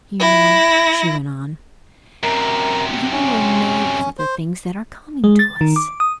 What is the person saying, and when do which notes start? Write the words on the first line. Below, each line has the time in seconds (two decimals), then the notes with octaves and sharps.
You know," she went on, "you were made for the things that are coming to us.
0.20 E4 A#6
2.24 F#2 C3 A#4
3.12 C#4
4.19 C5
5.24 G#3
5.39 A6
5.61 D#3
5.76 D6
6.00 D#6